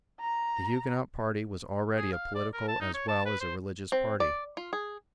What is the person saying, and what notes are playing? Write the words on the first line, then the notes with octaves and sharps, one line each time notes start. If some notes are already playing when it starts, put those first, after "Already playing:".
The Huguenot party was already a political as well as a religious party.
A#5
G#4
F5
D5
A#4
A5
D#4
C#5
A5
B4
C5
C4
D5
F4
G#4